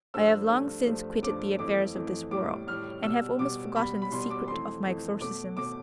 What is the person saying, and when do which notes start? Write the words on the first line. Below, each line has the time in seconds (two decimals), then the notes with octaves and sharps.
I have long since quitted the affairs of this world, and have almost forgotten the secret of my exorcisms.
0.14 G2 F3 A3 E6
0.50 G2 F3 A3
0.87 G2 F3 A3
1.23 G2 F3 A3 D6
1.59 F2 E3 A3 D6
1.95 F2 E3 A3
2.31 A2 G3 D6
2.67 A2 G3 F6
3.04 B2 G3 E6
3.39 B2 G3 D6
3.76 B2 G3 B5
4.02 B5
4.12 B2 G3 C6
4.30 D6
4.48 F2 E3 A3 C6
4.84 F2 E3 A3
5.20 B2 A3 D6
5.57 B2 A3 D6